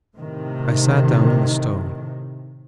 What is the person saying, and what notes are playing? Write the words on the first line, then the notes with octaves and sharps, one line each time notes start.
I sat down on the stone.
A2 C3 D#3